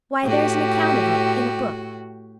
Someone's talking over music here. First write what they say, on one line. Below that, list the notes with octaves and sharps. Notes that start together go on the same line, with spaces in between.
"Why, there is an account of it in a book."
A2 F#4 G4